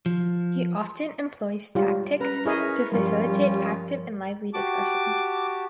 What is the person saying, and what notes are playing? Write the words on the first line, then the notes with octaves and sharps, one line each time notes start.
He often employs tactics to facilitate active and lively discussions.
F3
G3 G#3 F4 G4 C#5
C#4 B4 A#5 F6
E4 G#4 A#4 B4 C#5 D#5
G2 F3 G3 C#4 F4 A#4
F#4 G4 A5 D6